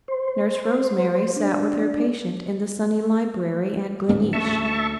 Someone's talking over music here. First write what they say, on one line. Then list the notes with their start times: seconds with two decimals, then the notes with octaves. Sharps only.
Nurse Rosemary sat with her patient in the sunny library at Gleneesh.
0.08 C5
1.36 D4
4.09 D1 G#2 A#3 C#4
4.33 D2 G#3 A3 E5 A5 C#6